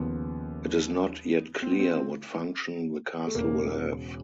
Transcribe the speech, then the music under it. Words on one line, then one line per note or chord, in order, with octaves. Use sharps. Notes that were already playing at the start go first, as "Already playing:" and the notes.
It is not yet clear what function the castle will have.
Already playing: D#2 C#3 F3 B3
C4
B3
C4
A3
E1 E2 C#3 A#3